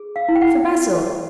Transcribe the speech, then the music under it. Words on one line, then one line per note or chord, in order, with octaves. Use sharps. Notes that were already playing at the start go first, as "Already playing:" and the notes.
"For Basil?"
Already playing: G#4
F5
E4
G5
F#5